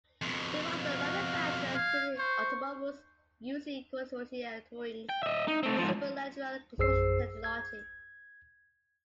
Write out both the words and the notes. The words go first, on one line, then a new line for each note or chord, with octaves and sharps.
Several other manufacturers created automobiles using Carozzeria Touring's superleggera construction technology.
F2 B2
F#4 F5
F5 G#6
C5 C#6
G5
D#5 E5
D#4
A3 C4
G#2 F3
A#1 F#2 G#4 C5 E6 C7
G#6